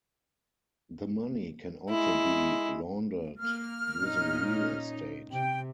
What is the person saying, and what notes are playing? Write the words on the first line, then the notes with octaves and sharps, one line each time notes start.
The money can also be laundered using real estate.
G#3 E4
A#3 F6
A#2 C#4 D#4
C3 G5